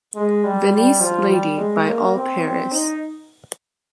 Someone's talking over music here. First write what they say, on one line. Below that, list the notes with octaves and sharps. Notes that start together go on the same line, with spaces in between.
Venise Lady by All-Paris.
G#3
G3
G3
F3
G3
G#3
A#3
C4
C4
D#4